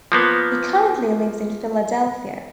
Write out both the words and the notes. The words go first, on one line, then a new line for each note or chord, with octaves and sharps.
He currently lives in Philadelphia.
F3 A#3 B3